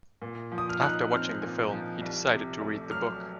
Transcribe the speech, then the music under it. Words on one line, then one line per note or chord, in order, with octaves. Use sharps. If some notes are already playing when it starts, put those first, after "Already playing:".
After watching the film, he decided to read the book.
A#2
F3
D#6
F6
D#4 F#6
C4 F6
A#2
F3
C2
C3
A3
F#3 F6